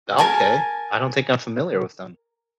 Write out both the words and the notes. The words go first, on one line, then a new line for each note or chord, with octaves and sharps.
Okay. I don't think I'm familiar with them.
A#4 G#5 A5